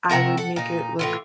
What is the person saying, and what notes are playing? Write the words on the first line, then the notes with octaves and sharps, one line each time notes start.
I would make it look
C3 F#4 A#4 E5
A4 F#5
A#2 D#4
A2 E3 F4